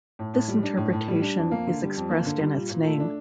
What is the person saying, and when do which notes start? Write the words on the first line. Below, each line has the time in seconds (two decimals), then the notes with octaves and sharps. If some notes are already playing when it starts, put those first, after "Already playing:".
This interpretation is expressed in its name.
0.19 A2
0.34 A2
0.48 G3
0.63 D4
0.77 A2
0.93 A2
1.08 G3
1.22 D4
1.37 F2
1.51 A#3
1.67 D3
1.82 G3
1.96 F2
2.11 A#3
2.26 D3
2.40 G3
2.55 A#2
2.70 A#2
2.85 A3
3.00 D4